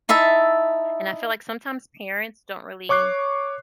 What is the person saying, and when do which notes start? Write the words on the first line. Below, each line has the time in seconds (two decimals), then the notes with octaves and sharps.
And I feel like sometimes parents don't really
0.09 D#4 E4 E5 A5
2.89 C#5 C#6 D6 F#6 C7